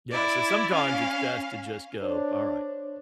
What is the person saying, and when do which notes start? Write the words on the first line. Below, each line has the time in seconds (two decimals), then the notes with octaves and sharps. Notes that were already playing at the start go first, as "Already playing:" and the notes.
yeah, so sometimes it's best to just go, "Alright."
0.11 E4 D5
0.74 C#4 F5
2.03 D4 C5 C#5